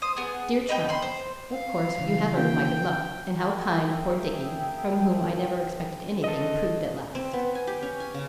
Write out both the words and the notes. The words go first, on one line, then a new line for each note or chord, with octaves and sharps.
'DEAR CHARLES--Of course you have heard of my good luck, and how kind poor Dickie--from whom I never expected anything--proved at last.
C5 D#6
B3 G#4
D#4 B4 G5
B5 C6
C5
F5
C#3 E3 F3
A#3 C#4 F#4 G5
F#2 A#3 G#4 E5 G5
A4 D#5
C4
B3
G#5
G4
C#4
G#5
C#3